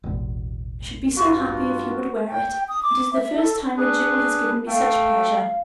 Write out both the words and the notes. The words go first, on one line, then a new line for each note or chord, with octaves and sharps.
"I should be so happy if you would wear it--it is the first time a jewel has given me such pleasure."
E1 A1 B2
G2 F4 F#4 C6
G5
D#6
D6
E5
A4
D4 G#4 B4
A3 F5 G5